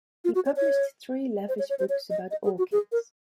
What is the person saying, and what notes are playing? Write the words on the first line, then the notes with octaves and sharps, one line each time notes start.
He published three lavish books about orchids.
F4
F#4
C#5
C#5
C5
C#5
C#5
C5
C#5
D#5
D#5
G#4
F#4
G#4
A#4